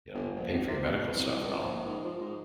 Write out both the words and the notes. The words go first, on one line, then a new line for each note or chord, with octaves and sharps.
you know, pay for your medical stuff and all.
G1
A#1
G#1
C3
B2
C2
C#2
A#1
G#2
F3
G#2